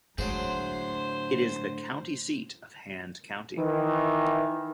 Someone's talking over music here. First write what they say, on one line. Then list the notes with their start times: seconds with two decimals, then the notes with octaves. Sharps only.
It is the county seat of Hand County.
0.18 A2 D3 F#3 G#3 G#4 C5
3.58 D#3 E3